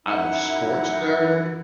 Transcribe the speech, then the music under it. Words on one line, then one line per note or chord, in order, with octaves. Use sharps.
I'm a sports nerd
F#2 D#4 E4 F#5